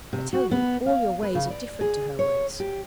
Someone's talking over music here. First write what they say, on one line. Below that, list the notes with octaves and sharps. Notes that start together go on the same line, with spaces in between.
I tell you, all your ways are different to her ways.'
C3
F#4
B3
F5
B4
C#3
D5
G#4
C#5
G4